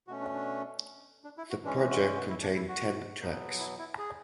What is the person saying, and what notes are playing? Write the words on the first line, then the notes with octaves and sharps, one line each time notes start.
The project contained ten tracks.
B2 A3 C#4 F#4
D4
D4
D4
E4
F#4
E3 G#3 C#4 D4
E4
F#4
F#4
E4
D4
E4
F#4
B2 F#3 B3
E4
E4
G#4